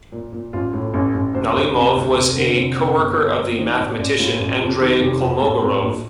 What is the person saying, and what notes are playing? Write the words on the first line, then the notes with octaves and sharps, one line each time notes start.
Nalimov was a co-worker of the mathematician Andrey Kolmogorov.
A#2
A#2
A1 F4
A2
A1
A1
D2 C5
D2 C5
C3 C5
D2
F1
D3
F1 C5
D3 A4
G1
G1
G1 A#4
D#3 C5
A2 D5
A1 D5
A2 F4
A1
F2
D#3
F1 G4
F2
A2 A4
A2 C4
A#1 D4